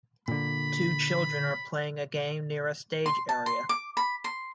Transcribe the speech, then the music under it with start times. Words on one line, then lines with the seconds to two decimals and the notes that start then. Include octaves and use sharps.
Two children are playing a game near a stage area.
0.28 A#2 D3 B5
3.06 C6
3.29 A5
3.46 C6
3.69 D6
3.97 B5
4.24 C6